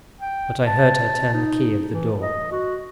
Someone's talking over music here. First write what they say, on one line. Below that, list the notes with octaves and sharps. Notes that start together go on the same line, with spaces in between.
But I heard her turn the key of the door.
G5
A5
D#4
E3
D#5
F#4